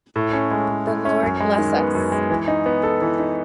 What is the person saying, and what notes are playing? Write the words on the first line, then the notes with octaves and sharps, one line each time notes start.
The Lord bless us!
A2
C#4
G#3
A2
A2
C#4
F#2
G#3
D#3
B3
F#2
G#3
E3
D#4
B3
A4
E3
D#4